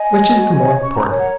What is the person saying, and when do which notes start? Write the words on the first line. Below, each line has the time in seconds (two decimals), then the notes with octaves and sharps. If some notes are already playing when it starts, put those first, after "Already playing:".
Which is the more important?
Already playing: D#5 G#5
0.08 C#5
0.33 F#4
0.57 C#5
0.81 C#4 C#6
0.93 A#5
1.06 A#4 C#5 G#5
1.18 F#5 A#5